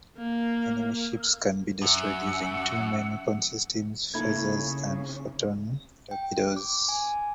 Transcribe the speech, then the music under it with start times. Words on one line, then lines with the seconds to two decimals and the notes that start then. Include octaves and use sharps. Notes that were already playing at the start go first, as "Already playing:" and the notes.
Enemy ships can be destroyed using two main weapons systems: phasers and photon torpedoes.
0.18 A#3
1.82 F#2 E5 F#5 E6
4.14 C#3 A3 A#3 D#4 E4 B5 G#6
6.11 G5
6.56 D6
6.89 G#5